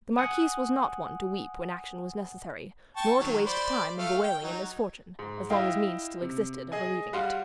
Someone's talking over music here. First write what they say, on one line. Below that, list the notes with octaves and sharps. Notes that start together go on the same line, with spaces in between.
The marquise was not one to weep when action was necessary, nor to waste time in bewailing a misfortune as long as means still existed of relieving it.
F#5 G#5 D#6
G5 A5 C#6
D#3 F#3 C#5
C5 D5 B5
A3 F5
G5
F#3 D#4
G#2
E4 D#5 F5 G5
C3
G#4 D#5 G#5
G3 F#4 F5 C6